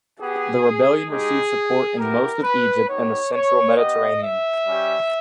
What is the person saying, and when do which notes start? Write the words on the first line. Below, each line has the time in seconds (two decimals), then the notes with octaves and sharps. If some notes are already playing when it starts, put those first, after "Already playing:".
The rebellion received support in most of Egypt and the central Mediterranean.
0.21 B3 G4 G#4
1.10 G#3 D#4 G4 G#4
1.99 B3 E4 G4 A#4
2.43 B4
2.88 B3 D#4 G4 C#5
3.33 C#5
3.77 B3 G4 D#5
4.22 E5
4.66 G3 C#4 G4